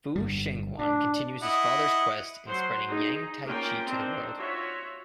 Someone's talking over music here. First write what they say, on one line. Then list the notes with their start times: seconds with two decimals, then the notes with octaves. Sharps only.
Fu Shengyuan continues his father's quest in spreading Yang t'ai chi to the world.
0.16 G1 G2 G3
0.79 A2 D4
1.42 E4 D#5 F#5
2.49 F#3 C5 F#5 C6
2.89 D#4 G#4
3.45 A#3 C#4 F4 A#4 G5
3.88 C4 D4 D#4
4.38 F4 F#4 C#5 E5